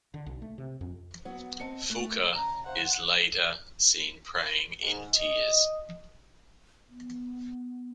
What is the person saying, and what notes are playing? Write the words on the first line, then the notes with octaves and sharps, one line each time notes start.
Fuka is later seen praying in tears.
D3
B1
A3
C3
F2
F#3 B3
C4 D#5 A5 C#7
A3 A4 F#6
C#3 A#5
C5 F5 F#5
G#2
D#5
B3